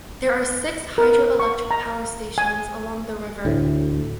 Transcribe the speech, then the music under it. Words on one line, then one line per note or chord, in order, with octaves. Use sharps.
There are six hydro-electric power stations along the river.
A#4
C#6
A#5
G#5
D2 A2